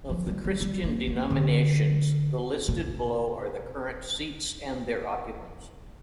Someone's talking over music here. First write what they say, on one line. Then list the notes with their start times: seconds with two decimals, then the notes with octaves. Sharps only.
Of the Christian denominations the listed below are the current seats and their occupants.
0.09 F3
0.27 G3
0.44 G3
0.61 G3
0.84 A#3
1.07 A#3
1.30 D3
2.68 C3